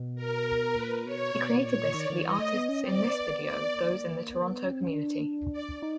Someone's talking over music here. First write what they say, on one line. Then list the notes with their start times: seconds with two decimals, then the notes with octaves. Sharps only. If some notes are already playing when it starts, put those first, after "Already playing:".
He created this for the artists in this video those in the Toronto community.
Already playing: B2
0.16 A#4
0.75 A#2 B4
1.05 B2 C#5
1.35 B2 D5
1.65 A#2 C#5
1.94 D#3 D5
2.10 D#3
2.24 E3 D#5
2.39 A3
2.54 B3
2.69 C#4
2.84 C4 D5
3.14 B3 D5
3.44 D5
3.74 A#3
4.33 B3
4.42 A#3
4.51 B3
4.64 C#4
4.72 C4
4.81 C#4
4.93 D4
5.52 D5
5.82 D#4